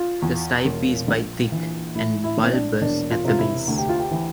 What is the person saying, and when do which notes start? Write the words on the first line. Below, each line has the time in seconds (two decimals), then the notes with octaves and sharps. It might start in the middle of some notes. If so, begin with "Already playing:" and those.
The stipe is by thick, and bulbous at the base.
Already playing: F4
0.22 E2
0.65 E1
1.08 A#1
1.52 E3
1.95 A2 E4
2.24 E4
2.38 A#1
2.43 C4
2.52 D4
2.81 E1 D4
3.10 F4
3.25 C3 F4
3.39 E4
3.67 D2
3.78 G4
3.89 F4
3.99 G4
4.11 E3